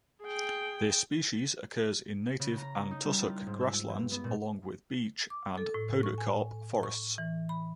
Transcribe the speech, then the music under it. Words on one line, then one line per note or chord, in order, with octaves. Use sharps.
This species occurs in native and tussock grasslands along with beech and podocarp forests.
G#4 G5
C#3
A#5
C#4
D#4
G3
F4
G#2
E6
G2
B3
A#2
D6
A4
A2
C#6
G#5
C#6
E3
B5